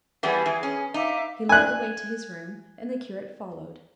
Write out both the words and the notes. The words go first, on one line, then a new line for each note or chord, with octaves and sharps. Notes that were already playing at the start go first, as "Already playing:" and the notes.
He led the way to his room, and the curate followed.
E3 G3 B3 G#4 G#5
E3
C#4
D#4 E5 F5 D6
G#5 F#6